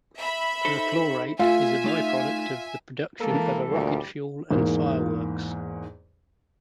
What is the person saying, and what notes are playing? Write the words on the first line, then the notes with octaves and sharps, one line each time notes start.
Perchlorate is a byproduct of the production of a rocket fuel and fireworks.
E5 B5
D#4 A4 C5
A3 F4 E5 G#5
A3 D#4 F5
E3 G#3 A#3 A4
D2 A#2 G3
E2 G#2 A#3